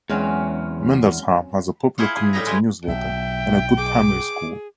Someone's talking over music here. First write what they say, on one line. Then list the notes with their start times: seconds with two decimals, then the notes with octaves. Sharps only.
Mendlesham has a popular community newsletter, and a good primary school.
0.10 E2 F#3 G#3 C4 C#4 F6
1.98 E4 F4 G#4 C5 F5 F#5
2.16 G#4
2.33 A2 G3 D#4 B4 A#5
2.47 G#3 E4 G4 G#4
2.88 B1 E5 G5
3.77 G#4 D6